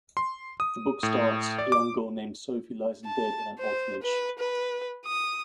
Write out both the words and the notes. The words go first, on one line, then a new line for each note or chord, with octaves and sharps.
The book starts, a young girl named Sophie lies in bed in an orphanage.
C6
D#6
A2
D5
D6
A5
C5
B4
B4
D#6